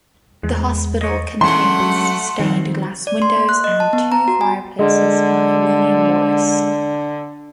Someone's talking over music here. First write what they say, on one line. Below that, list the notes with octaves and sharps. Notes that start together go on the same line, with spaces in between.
The hospital contains stained glass windows and two fireplaces by William Morris.
E2 G#3
C#5 D#5
E3 G#3 A3 C#4 D4 F#5 C6
F#3
D#3 F3 C4
D5
C6
A#3
F#6
D#5
A5
B3
A#5
F#4
G#5
D3 G#3